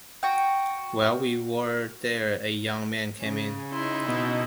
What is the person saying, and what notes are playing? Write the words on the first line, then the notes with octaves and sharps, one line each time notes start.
While we were there a young man came in.
F#4 G5
C#3 C#4
D#4 E4 C6
B2 D#5